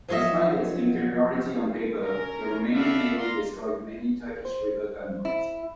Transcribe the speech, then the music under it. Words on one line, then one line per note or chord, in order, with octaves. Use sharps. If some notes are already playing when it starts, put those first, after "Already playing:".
Despite its inferiority on paper, the Romanian Navy destroyed many Turkish river gunboats.
F3 F#3 F4 G#4 D#5 E5
C#4 A#4
F#4 A4 B4 D5 E5 F5
D5 F5 A#5 C6
C5
E4